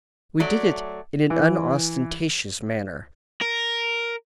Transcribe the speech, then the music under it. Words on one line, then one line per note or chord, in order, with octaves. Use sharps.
We did it in an unostentatious manner.
F#3 A3 D5
E3
A#4